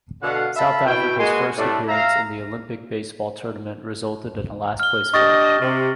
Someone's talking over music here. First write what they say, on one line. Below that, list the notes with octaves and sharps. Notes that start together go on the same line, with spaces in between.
South Africa's first appearance in the Olympic baseball tournament resulted in a last-place finish.
B2 D3 A4 F5 F#5
A4 E5 F5 A5 B5
B2 E4 G5
G#3 A#3 B3 F#4 G#5 C6
A2 G3 A3 D4 A4 D5
E5 F5 A#5
F6 G7
D4 G4 D#5 C#6 A6 A#6
C3